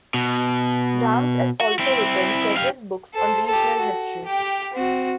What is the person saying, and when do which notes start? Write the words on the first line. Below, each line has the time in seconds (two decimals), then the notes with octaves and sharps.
Brahms has also written several books on regional history.
0.14 B2
1.61 F#4
1.79 C4 E4
2.57 G4 F5
3.14 A4 C5
3.46 G4 A4
3.79 F#4
4.26 G4 G5
4.73 C4 F#4